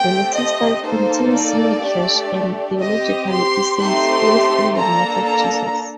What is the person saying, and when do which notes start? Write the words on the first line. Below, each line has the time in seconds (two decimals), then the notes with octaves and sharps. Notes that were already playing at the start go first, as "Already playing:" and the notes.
The later style contains midrash and theological essays placed in the mouth of Jesus.
Already playing: A3 C4 G4 G5
0.34 D#5
0.84 A#3 D#4 A4 C5
1.34 D5
1.83 A3 D4 G4
2.82 C4 G4 D#5
3.32 C6
3.80 A3 C4 D#4 G4 C6
4.79 A#3 D4 A4 A#5
5.29 A#5